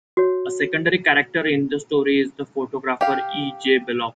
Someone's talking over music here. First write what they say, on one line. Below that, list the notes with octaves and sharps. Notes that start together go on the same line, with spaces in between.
A secondary character in the story is the photographer E. J. Bellocq.
F#4 C#5
G4 F5